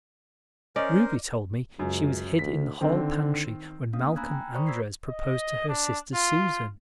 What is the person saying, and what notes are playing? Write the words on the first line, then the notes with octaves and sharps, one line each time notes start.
Ruby told me she was hid in the hall pantry when Malcolm Andres proposed to her sister Susan.
C#4 A#4 C5 D5 D#5
C#2 F#2
D2 B6
D3 D#3 C4
A#3 B3 C#4 D4 F5 D#6
G#5 A#5 B5 E6 F#6 G#6
G5
C5 D5 A#5 B5 C#6 D#6
E6 G#6 B6 C7
D#5
D4
F4